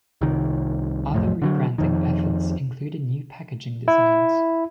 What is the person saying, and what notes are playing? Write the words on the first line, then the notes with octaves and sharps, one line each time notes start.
Other rebranding efforts included new packaging designs.
C2 D#3
C2 F2 A2
D3 D#3 F#3
F2 D#3
E4